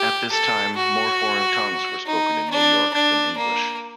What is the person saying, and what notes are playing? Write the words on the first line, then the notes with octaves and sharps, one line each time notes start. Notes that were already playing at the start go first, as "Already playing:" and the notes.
At this time, more foreign tongues were spoken in New York than English.
Already playing: G4
A4
F#4
D#4
D4
D4
A#3